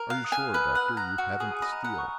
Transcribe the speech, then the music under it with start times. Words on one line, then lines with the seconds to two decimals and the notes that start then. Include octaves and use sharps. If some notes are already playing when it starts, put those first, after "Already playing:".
"Are you sure, Doctor, you haven't the steel?"
Already playing: A#4
0.10 F5 F#6
0.25 D#6
0.32 G#5
0.39 F6
0.53 B4 F#6
0.75 F#5
0.97 A#5 F#6
1.18 F#4
1.40 G#4 D#6
1.51 G#5
1.62 D#5 B5
1.73 A#5
1.84 F#5 A#5
1.98 C#6